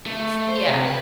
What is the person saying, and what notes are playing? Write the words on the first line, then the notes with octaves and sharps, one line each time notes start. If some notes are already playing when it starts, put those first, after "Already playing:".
S Yeah.
A3
C5
C3
B4